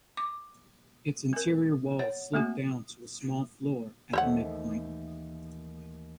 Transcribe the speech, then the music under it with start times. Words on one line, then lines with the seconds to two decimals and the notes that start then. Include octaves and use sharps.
Its interior walls slope down to a small floor at the midpoint.
0.17 D6
1.33 C4 A#4
1.99 C#5 F#5
2.34 A3 A#3 C4 F#4
4.13 D#2 E3 A3 C5 C#5 F#5